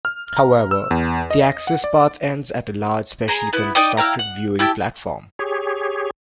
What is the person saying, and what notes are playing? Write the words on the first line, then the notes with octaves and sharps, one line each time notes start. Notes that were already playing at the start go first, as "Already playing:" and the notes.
However, the access path ends at a large specially constructed viewing platform.
F6
A#5
E6
E2
D#5
F#5
D5
G#4 A#5
B3 E4
D#4 D5 G5 D#6
E4 F5 G5 A#5
F#5
E4 G4 A5 E6
G4 G#4 C#5